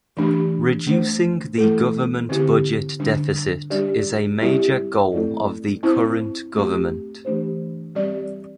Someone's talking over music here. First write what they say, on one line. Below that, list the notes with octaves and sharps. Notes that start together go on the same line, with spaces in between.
Reducing the government budget deficit is a major goal of the current government.
E3 A3 D4 G4
A3 D4 C5
E3 A3 E4 A4
D3 C4 E4 G4
D3 G3 D4
G3 D4 G4 D5
G3 C4 E4 G4 D5
A3 C4 E4 A4 D5
C4 E4 C5
A3 C4 G4
E3 A3 D4 G4 C5
G3 C4 G4 D5